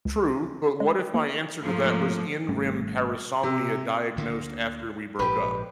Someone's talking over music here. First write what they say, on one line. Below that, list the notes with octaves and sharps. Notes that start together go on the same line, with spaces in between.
True, but what if my answer to that was in REM parasomnia diagnosed after we broke up?
C#2
G#3
A#3
G#2 F3 A3 A#3
G#1 G3 A3 C#4
C3
D2 D3 A#3
A#1 G#2 G4 B4